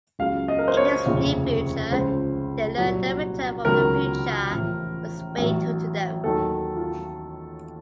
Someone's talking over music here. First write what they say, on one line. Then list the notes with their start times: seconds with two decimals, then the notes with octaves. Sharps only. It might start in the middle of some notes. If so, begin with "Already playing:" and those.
In this near-future, they learn their return from the future was fatal to them.
0.19 C#2 C#3 F#3 F5
0.48 D#5
0.59 A#4
0.68 C5
0.77 C#5
1.06 F1 D#2 C#3 F3
1.92 C#2 C#3 F3 C5
2.78 C2 A#2 F#3
3.65 C#2 C3 D#3 F#3 A#4
4.51 A1 A2 F3
5.38 A1 A2 F#3
6.24 D#2 D#3 F#3 A4
6.76 F4